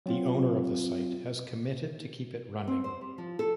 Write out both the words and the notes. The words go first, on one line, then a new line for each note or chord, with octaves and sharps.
The owner of the site has committed to keep it running.
F#3 C4 F4
C4
C5
G3
F3
A4